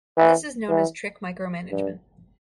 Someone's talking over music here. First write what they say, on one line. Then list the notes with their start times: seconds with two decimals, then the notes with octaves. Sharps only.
This is known as trick micromanagement.
0.17 E3
0.69 E3
1.72 G2